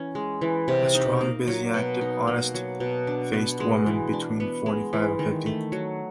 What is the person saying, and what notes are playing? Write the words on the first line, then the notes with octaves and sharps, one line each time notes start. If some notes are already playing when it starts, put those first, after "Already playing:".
A strong, busy, active, honest-faced woman between forty-five and fifty.
Already playing: E3 C#4
G#3
E3
C3
D#4
A#3
F#3
B2
D#4
A#3
F#3
B2
D4
B3
G#3
E3
D4
B3
G#3
E3
D#3
A3
F#3